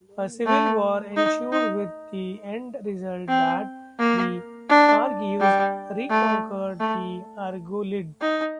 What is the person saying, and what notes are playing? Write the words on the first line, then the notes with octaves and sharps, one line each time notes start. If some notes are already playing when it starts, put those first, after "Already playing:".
A civil war ensued, with the end result that the Argives re-conquered the Argolid.
A3
D#4
D#4
C4
A#3
D4
G3
A3
A3
D#4